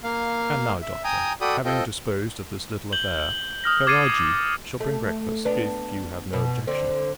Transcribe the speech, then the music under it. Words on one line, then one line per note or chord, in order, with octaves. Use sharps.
"And now, Doctor, having disposed of this little affair, Ferajji shall bring breakfast; if you have no objection."
A#3 F5
E5
G5 G#5 A#5 D#6
F#4 A4 D5 G5 B5 D#6
C4 F4 A4 D#5 G5
G6 F#7 G7
D#6 F6 A#6
D6 G#6 A6 C7 C#7 D#7
D#6 D#7
A3
B3 D4
B2
D3 C4